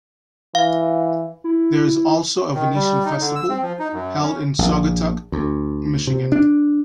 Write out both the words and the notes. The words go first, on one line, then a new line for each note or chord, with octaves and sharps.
There is also a Venetian Festival held in Saugatuck, Michigan.
E3 F5
E4
D#3
G3
D#4
D3
E6
C4
F3
D#4
F#2
C#4
A#1
D2
C3
D4